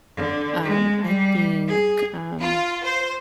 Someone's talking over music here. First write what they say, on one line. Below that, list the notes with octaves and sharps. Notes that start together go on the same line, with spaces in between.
Um, I think, um,
D3
G#3
G3
G#4
F4
C5